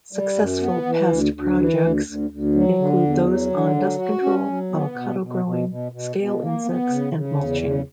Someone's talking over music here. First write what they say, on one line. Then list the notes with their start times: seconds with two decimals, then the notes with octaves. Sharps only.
Successful past projects include those on dust control, avocado growing, scale insects, and mulching.
0.13 G3
0.37 F#2
0.61 B3
0.86 E3
1.09 D2
1.33 D2
1.58 E3
1.81 D2
2.06 D2
2.30 D2
2.55 F#3
2.78 D3
3.02 E2
3.26 F#3
3.50 D3
3.76 F#3
3.99 F#4
4.23 C#4
4.47 F#3
4.71 B3
4.96 B2
5.20 B2
5.45 B2
5.69 B2
5.92 B2
6.16 B2
6.41 A#3
6.65 B3
6.89 C#3
7.13 C#3
7.37 E2
7.62 C#3